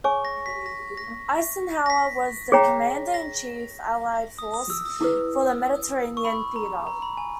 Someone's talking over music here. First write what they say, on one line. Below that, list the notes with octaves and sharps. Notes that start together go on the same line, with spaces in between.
Eisenhower was the Commander-in-Chief, Allied Force for the Mediterranean theatre.
G#4 C#5 G#5 C#6
A#6
B6
A#6
A#6
A#6
B6
G#4 C#5 G5 A#5
A#6
D#6
D#6
E6
D#6
E4 G#4 B4
C#6
B5
A#5
A#5
B5
G#5